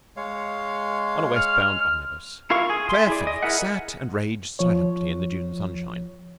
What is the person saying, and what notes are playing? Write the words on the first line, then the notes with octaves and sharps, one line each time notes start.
On a west-bound omnibus Claire Fenwick sat and raged silently in the June sunshine.
G#3 C#5 F5
F6
E4 F4 A#4 F5 C#6
G#4
E5 C6
E4 G#4 D5
D#5
E4 G#4 A#4 E5 F#5
F3 C#5